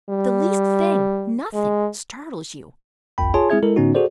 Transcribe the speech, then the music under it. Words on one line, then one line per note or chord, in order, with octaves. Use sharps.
The least thing--nothing--startles you!
G3
G#3
G1 C2 F2 G5 B5
F4 G#4 C#5 G#5 A5 C6
G#3 C4 E4 G#4 E5 G#6
G#3 E4 A4 A#4
A2 D3 B3 C#4 D#4 F#4
F#4 G#4 A4 C5 D5